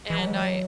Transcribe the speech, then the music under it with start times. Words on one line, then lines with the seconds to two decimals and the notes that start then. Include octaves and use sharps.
and I
0.10 E3
0.18 F#3
0.27 G#3
0.35 F#3